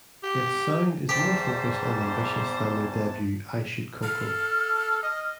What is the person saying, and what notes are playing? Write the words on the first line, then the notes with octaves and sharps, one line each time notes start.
Its sound is more focused and ambitious than their debut, "I Should Coco".
G4
E2 G#2 C3 G3 G4 C5 A5
A4 F6
D#5